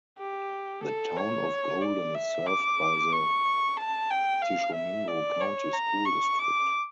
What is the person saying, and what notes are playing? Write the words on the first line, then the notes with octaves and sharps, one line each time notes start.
The Town of Golden is served by the Tishomingo County School District.
G4
A4
C#5
D5
E5
D6
C#6
A5
G5
F5
E5
D5
C#5
A#5
C#6
D6